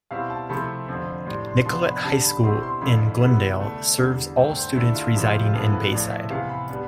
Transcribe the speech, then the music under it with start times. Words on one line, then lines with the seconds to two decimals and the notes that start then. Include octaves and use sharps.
Nicolet High School in Glendale serves all students residing in Bayside.
0.11 B2 G3 C4 E4 F5
0.30 A5
0.49 C3 F3 A3 C4 E4 B5
0.88 F2 D3 F3 C4
1.27 A2 G3 D4 C6
1.46 C6
1.66 C3 F3 B3 D4 C6
1.85 B5
2.04 D3 G3 D4 A5
2.24 B5
2.43 B2 G3 C4 E4 C6
2.63 C6
2.81 F2 D3 F3 A3 E4 B5
3.21 C3 G3 B3 E4
3.60 D3 A3 D4
3.98 E2 D3 G3
4.37 G2 D3 A3 G5
4.56 C5
4.75 D3 A3 D4 E4
4.95 F4
5.14 F2 C3 F3 E4
5.24 F4
5.33 G4
5.43 F4
5.53 A2 F3 B3 E4 A4
5.72 B4
5.92 A2 F3 A3 D5
6.11 E5
6.30 C3 E3 B3 F5
6.49 B5
6.69 G3 B3 D4